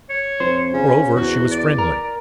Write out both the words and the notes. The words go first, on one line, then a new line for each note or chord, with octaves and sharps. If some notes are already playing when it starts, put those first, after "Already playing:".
Moreover, she was friendly.
C#5
F2 C5
C#3 C#4
E2 F#4
D5
A#4